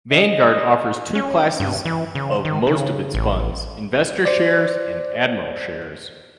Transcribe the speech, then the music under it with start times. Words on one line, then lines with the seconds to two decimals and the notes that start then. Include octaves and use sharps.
Vanguard offers two classes of most of its funds: "investor shares" and "admiral shares".
0.12 D#5
1.15 C#4
1.60 G2
1.85 E3
2.15 C#3
2.45 D#3
2.67 C#3
3.15 A1
4.25 C5 D5